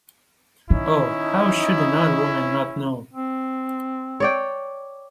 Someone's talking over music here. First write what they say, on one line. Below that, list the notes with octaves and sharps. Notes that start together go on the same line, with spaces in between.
Oh, how should another woman not know?
D#3 C#4 D#4 E4
C4
C#5 D5 G5